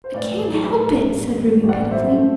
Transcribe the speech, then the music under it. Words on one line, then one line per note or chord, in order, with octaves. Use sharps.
"I can't help it," said Ruby pitifully.
C5
A2 B4 D5
A1
F#3
A2
F#3
A1
A1
A1
A3
A1
D5 F#5
G2
C5 E5
F#3
A3